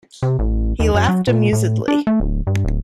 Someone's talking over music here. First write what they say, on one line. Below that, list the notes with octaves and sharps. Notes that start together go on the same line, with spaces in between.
He laughed amusedly.
C3
A1
D#2
F#2
F#3
A#2
A2
D4
A3
D1
G2
D1